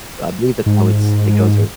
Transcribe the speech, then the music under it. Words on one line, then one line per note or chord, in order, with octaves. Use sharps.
I believe that's how it's it goes or
G#2